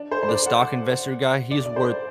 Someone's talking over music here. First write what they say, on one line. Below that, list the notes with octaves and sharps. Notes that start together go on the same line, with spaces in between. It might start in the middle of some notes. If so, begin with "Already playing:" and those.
the stock investor guy, he is worth
Already playing: D4
C5
C5
D5
F#5
D5
D5
C5